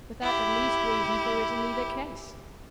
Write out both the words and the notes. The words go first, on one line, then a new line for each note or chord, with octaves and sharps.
Without the least reason for it in either case.
E4 G4